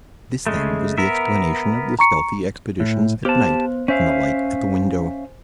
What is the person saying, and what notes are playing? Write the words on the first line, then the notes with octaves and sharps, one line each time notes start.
This, then, was the explanation of the stealthy expeditions at night and the light at the window.
C#3 G#3 A3
B3 A#4 E5
A#5 C#6 C#7
A2
B3 G4 C5 A5
C#4 C5 E5 F5 G#5 G6